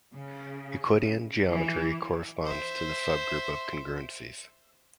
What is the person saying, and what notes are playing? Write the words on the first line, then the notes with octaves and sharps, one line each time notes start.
Euclidean geometry corresponds to the subgroup of congruencies.
C#3
E3
C5 E5